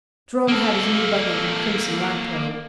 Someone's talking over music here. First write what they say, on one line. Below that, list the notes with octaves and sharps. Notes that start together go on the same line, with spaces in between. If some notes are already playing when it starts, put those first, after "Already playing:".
Jerome had his new buggy and crimson lap robe.
A#3 A4